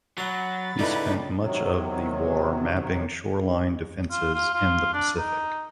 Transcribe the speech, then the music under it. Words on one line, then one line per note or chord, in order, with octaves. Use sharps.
He spent much of the war mapping shoreline defenses in the Pacific.
F#3 F#5 A#5 B5 A6
C#2 D#4 E4 A4 B4 D5 F5
C3 D#3 F#3
F4
F4
F4
D4
D#4